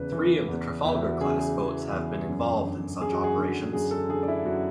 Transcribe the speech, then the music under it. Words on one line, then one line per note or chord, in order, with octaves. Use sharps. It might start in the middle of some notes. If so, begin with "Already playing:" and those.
Three of the "Trafalgar"-class boats have been involved in such operations.
Already playing: E2 C#3 B4
E3
E2
E2 E4
F#4
C#3 G#4
G#4
E3
E2
F#2
D3
F#2 G#4
F#4
G#4
D3
F#2 G#4
A4
D3 G#4
D4
E4
F#2 F#4